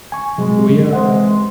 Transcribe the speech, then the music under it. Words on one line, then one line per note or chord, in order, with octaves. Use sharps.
"Here we are."
G#5 C#6
G#2 C3 F#3 G#3
C3 E3 G#3 D#5 F#5